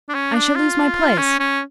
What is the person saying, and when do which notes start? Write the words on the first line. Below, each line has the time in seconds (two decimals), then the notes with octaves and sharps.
'I shall lose my place.
0.09 D4
0.15 C#4
0.35 D4
0.56 F4
1.18 C#4
1.40 C#4